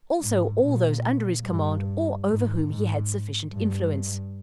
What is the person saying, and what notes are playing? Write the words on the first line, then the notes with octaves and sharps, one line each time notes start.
Also all those under his command, or over whom he had sufficient influence.
G#2
A#2
G2
G#2
G#2
G2